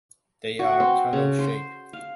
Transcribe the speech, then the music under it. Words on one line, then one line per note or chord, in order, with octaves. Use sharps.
They are tunnel-shaped.
F#4
C4
C#3
C5
F5